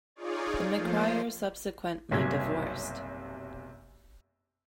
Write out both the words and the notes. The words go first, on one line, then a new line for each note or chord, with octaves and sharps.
The McCrerys subsequently divorced.
D#4 F4 G#4 C#5 D5
F3 A3 A#3 F4 C5
F#1 B1 C3 G3 G#6